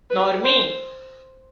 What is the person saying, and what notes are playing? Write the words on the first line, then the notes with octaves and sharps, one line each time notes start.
Nor me.
B4
C5